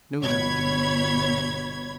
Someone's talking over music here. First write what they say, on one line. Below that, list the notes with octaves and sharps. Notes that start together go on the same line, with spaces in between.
No die Jimmy.
G1 B2 C#5 B5 G#6